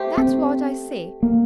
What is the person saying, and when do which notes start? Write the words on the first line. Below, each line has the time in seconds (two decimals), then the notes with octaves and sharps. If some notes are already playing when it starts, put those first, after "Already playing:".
That's what I say.
Already playing: A3 G4 C5
0.17 C4
1.23 A#3